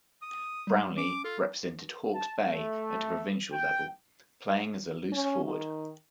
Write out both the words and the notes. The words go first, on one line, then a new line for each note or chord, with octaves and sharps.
Brownlie represented Hawkes Bay at a provincial level, playing as a loose forward.
D#6
G3
C#4 D6
F4 A4
A5
A3
G5
C#4
D#3